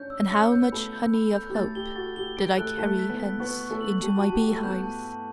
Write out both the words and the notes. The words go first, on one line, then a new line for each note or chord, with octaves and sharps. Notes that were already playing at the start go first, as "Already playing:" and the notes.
And how much honey of hope did I carry hence into my beehives!
Already playing: C#4 D4 C#5 G6
E6
C#4 C#5 C#7
B3 B4 G6
A3 A4 B5
G6
B5
G6
G4
A3 A4 A6
G4 G7
F#4 A6
G4 G7
G4 D7
A3 A4 F#6
A3 A4 B6
B6
B3 B4
B6
B3 B4 C#6
C#6
A3 A4
F#7
G4 A5
F#4
A5
G4
A5
A3 A4
B3 B4 G6
A5
A5